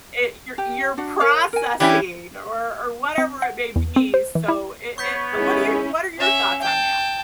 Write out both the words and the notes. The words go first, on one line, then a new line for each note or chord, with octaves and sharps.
eh y you're processing or or whatever it may be, so, it it what are you what are your thoughts on that?
G4
D4 F#4 F#5
A#4 C#5 F5
A#4 G#5
E3 C#4 E4 G4 D5
C4
F#5
E2
C4
C5
E3
E4
B3 C#5 C#6 G6 B6
D#3 G#3 C#4 E4 G#4
C#4 E5
G5 A5